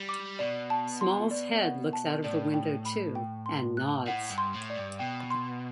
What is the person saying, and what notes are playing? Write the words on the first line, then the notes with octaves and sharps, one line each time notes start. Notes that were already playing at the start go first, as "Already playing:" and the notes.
Small's head looks out of window too, and nods.
Already playing: G3
D6
B2 D5
A5
C6
D5
F#5
A5
A2 D5
G5
B5
G5
C6
F#6
A2 F#5
G2
C6
A2
D5
G2
B2 G5
C6